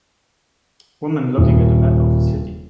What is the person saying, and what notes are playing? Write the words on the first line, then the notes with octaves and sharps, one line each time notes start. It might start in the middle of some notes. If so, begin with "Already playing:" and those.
Woman looking at a map of a city.
D#1